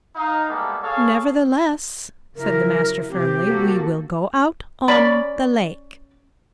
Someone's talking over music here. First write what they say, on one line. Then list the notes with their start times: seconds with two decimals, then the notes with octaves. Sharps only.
"Nevertheless," said the master, firmly, "we will go out on the lake."
0.15 D#4 F5
0.48 G3 G#3 A#3 B3 E4 A4
0.82 G#4 A4 C#5 F5
2.37 C#3 F#3 E4 A#4
3.09 C3 C4 G4
3.46 A#3 F#4 A4
4.88 C#4 D5 B5